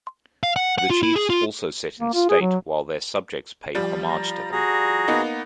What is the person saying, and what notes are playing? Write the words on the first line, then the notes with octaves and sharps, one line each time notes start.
The chiefs also sit in state while their subjects pay homage to them.
F5
F#5
F#5
F4
E4
G#4
F4
A#3
F4
G#4
F#3
F3 G3
A#5
F#4 G#4 A#5
A#3 B3 D#4